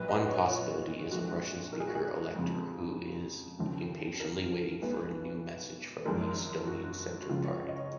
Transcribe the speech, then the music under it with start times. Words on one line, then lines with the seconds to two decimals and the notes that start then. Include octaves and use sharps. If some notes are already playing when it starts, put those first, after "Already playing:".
One possibility is a Russian-speaking elector, who is impatiently waiting for a new message from The Estonian Center Party.
Already playing: A#1 A#2 F#3 B4
0.08 D#5
0.29 C#5
0.50 F4
1.11 A#1 A#2 F3 G#3 F#4
1.73 A#4
1.80 G#4
1.87 F#4
1.95 G#4
2.36 F2 C#3 F3 G#3
3.59 D#2 C#3 F3
4.20 A#4
4.82 B1 B2 G#3 B4
6.05 G#1 F#2 F3 G#3 A#4
6.67 F#4
7.21 F#4
7.29 C#2 C#3 F3 G#3 F4
7.45 C#5
7.60 C#5
7.68 D#5
7.76 C#5